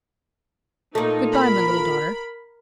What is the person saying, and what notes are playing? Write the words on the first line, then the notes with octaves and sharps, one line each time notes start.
Good-bye, my little daughter.
A#2 A3 D#4
A#4 B5